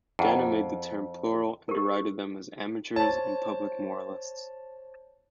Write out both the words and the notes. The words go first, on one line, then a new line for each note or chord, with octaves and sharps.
Dana made the term plural and derided them as amateurs and public moralists.
F2 E4 G#4 F#5
G4 A#4
C5 C#5 A5